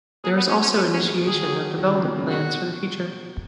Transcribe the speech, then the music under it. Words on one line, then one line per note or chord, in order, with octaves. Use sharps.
There is also initiation of development plans for the future.
F#3 A#3 G#4
B3
G#3 B3 C#4
C#4
F#3 A#3 B3
C#4
F3 G#3
F3
D#3 F#3 G#4
F#3
F3 G#3
D#3 F#3
C#3 F3
B2 D#3
A#2 C#3
B2 F#4